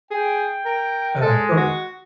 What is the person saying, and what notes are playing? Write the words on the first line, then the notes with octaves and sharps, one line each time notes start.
uh, from
G#4 G5
A#4
G#3 A4
F#4